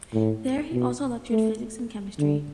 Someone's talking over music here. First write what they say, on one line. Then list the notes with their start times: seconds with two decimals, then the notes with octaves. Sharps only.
There he also lectured physics and chemistry.
0.14 A2
0.73 B2
1.32 A3
2.19 D3